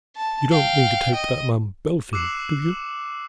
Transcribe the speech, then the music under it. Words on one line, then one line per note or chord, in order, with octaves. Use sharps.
"You don't mean to take that man Bellfield, do you?"
A5
F5 G5
D#5
D6 E6 F#6 C7 C#7 E7